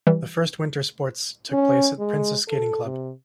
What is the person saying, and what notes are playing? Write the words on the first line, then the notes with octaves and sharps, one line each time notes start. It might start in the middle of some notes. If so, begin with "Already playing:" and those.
The first winter sports took place at Prince's Skating Club.
E3 G3
C#4
G#3
A4
C3